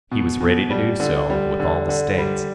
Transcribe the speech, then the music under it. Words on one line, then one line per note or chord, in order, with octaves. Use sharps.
He was ready to do so with all the States.
B2
B2
G3
D3
G3
D3
D3
G3